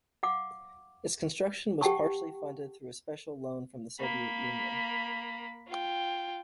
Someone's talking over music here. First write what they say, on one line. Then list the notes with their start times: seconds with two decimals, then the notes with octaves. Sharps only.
Its construction was partially funded through a special loan from the Soviet Union.
0.23 F5 F#5 D6
1.81 G4 F#5 G5 A5 C#6
4.00 A#3 B5
5.68 F4 G5